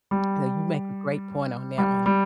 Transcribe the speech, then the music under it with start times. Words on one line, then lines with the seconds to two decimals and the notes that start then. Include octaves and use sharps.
So you make a great point on that one.
0.11 G3
1.78 G3
2.06 G3